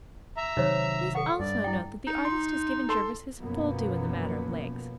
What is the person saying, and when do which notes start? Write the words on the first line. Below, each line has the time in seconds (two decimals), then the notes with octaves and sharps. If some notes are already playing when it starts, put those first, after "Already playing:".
Please also note that the artist has given Jervis his full due in the matter of legs.
0.37 E5 A#5
0.57 C3 D#3 F#3 D#4 C5 C#5
1.15 A4 F#5 C#6
1.40 G2 D5
1.64 E4 G5
2.07 D#4
2.25 C6
2.89 A4 C6
3.39 F#2 B2 F3 A#3 B3